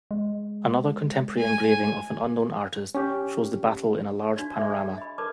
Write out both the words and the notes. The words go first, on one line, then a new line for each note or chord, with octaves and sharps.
Another contemporary engraving of an unknown artist shows the battle in a large panorama.
G#3
G#5
C#4 G4
D4 F#4 D5
G#4 D5 E5
G#5
D#5 B5
A#4 B4 D5 A5 D6